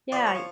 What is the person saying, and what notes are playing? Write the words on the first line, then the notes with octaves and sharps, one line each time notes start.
Yeah, y
F3 D5
C#5
F3